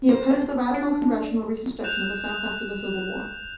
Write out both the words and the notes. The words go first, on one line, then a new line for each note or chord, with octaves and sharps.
He opposed the radical congressional Reconstruction of the South after the Civil War.
C5
D4
F#6 G6 E7 F7